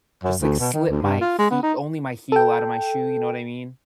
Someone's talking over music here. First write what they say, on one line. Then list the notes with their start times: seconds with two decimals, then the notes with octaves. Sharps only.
Just, like, slip my hee only my heel out of my shoe, you know what I mean,
0.24 F#2
0.41 D2
0.59 B2
0.74 D#3
0.90 D2
1.03 G2
1.21 F4
1.39 G#3
1.51 B3
1.63 D#4
2.32 A4 G5